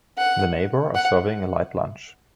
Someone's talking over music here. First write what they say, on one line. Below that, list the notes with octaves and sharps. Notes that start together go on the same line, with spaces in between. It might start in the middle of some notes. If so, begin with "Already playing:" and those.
The neighbor are serving a light lunch.
F#5
F#5